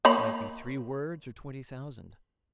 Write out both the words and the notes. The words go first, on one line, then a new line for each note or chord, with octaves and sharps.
It might be three words or twenty thousand.
A#3 C#5 B5